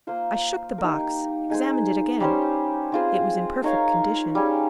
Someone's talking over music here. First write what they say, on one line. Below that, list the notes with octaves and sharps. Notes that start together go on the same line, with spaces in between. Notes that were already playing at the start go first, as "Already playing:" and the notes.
I shook the box, examined it again, it was in perfect condition.
A#3 F4 C5
D#4 G4 A#4
D#4 G#4 C5
G3 C#4 G4 C5
C4 F4 G#4 C5
D#4 A#4 C#5 F5
G3 C#4 G#4